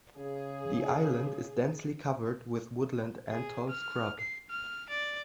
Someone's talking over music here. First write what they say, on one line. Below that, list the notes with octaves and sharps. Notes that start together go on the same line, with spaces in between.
The island is densely covered with woodland and tall scrub.
C#3 G#4
G#4
F6
C7
F6
D5